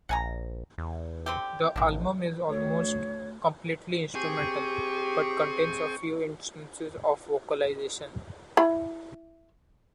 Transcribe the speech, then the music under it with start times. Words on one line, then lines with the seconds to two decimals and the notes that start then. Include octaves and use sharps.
The album is almost completely instrumental, but contains a few instances of vocalization.
0.09 A#1 F#5 G#5 A#5
0.78 E2
1.26 D3 C4 G4
1.76 A1 D#3 D4
2.50 D2 C#5
4.15 C4 G4 G#4 G5 C#6
8.57 E4 B5